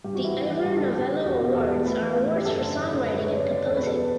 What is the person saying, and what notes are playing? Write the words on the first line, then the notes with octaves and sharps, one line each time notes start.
The Ivor Novello Awards are awards for songwriting and composing.
G2 G4
F#4
E3
E4
G2 F#4
E3 G4
G2 G4
D3 A4
G4
G2
D3
G4
E2 F#4
B2 G4
E2 A4
B2
A2 B4
E3
A2
E3
G4
F#2 A4
D3
F#2
D3
F#2 B4
D3 C#5
F#2 D5
D3 D5
E2 A4
B2 B4
A4